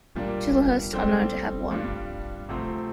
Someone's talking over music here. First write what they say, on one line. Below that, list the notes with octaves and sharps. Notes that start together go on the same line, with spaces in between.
Chislehurst are known to have won.
A#2 G3 A#3 D4
D3 G3 C4 G4
G2 G3 D4 F4
D2 C3 F3 C4